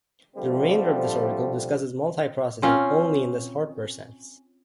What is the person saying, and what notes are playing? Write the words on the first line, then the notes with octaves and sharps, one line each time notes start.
The remainder of this article discusses multiprocessing only in this hardware sense.
D3 F3 G3 A3 C4
C4 C#4 F4